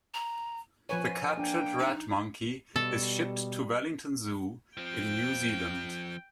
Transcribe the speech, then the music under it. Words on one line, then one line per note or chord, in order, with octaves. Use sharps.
The captured Rat-Monkey is shipped to Wellington Zoo in New Zealand.
A#5
F3 B4 C#5 G#5
A#3 D4 G5
D#4
B2 G3 A4
F3 C4 G5